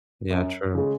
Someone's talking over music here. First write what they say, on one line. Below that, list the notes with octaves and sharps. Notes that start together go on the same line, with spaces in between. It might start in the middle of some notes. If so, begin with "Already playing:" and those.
Yeah. True.
F#2
C#3 G#3